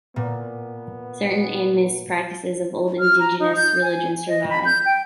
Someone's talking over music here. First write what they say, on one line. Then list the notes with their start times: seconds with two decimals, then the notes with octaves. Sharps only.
Certain animist practices of old indigenous religions survive.
0.16 A#2 B3
3.00 F6
3.19 A#5
3.40 D#4
3.57 G6
3.82 G#5
4.28 D#5
4.50 B5
4.65 G6
4.86 G5